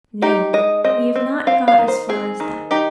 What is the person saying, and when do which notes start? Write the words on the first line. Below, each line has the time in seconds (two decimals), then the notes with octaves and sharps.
No; we have not got as far as that.
0.22 D#4 G4
0.53 G#3 D#5
0.84 C4 D#5
1.16 C4
1.47 C4 F5
1.68 F5
1.78 D#3
1.88 C5
2.09 C4 G#4
2.40 D#3
2.71 D#4 G4